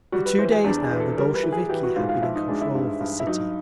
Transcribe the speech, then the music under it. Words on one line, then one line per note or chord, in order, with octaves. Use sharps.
For two days now the Bolsheviki had been in control of the city.
G3 F#4
B4
E3 C5
G#4
E2 D4
G#4
E3
A4
G3 A#4
B4
E3
G#4
E3 G4
F#4
G#2 F4
F4
F3 E4
D#4
G#3 D4
E4
G2
G2
E4
F#3 D#4